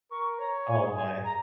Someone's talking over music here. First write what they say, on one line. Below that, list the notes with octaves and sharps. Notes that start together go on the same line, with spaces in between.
Oh, my.
A#4 C#6
C#5 A#5
G#5
G#4
G#5
A#5